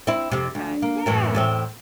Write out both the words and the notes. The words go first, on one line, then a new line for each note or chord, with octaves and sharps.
Ma okay, yeah.
C4 E4
F2 C3
D2
A#3
F#2 A2 E3
E2 A2 C4